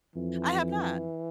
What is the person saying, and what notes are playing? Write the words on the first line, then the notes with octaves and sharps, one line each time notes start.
I have not.
F2 E3